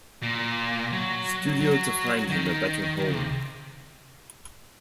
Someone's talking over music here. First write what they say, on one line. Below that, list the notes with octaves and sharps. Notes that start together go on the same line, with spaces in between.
Studio to find him a better home.
A#2
F#3
F#3
D#3
D#3
C#3
C3